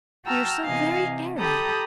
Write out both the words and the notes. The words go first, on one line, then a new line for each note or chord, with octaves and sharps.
We are so very airy!
F#4 G5 A5 A#5 E6 F6
C3 E3 D#5 F5 G#5
C3
G4 A4 A#5 B5 D#6 G6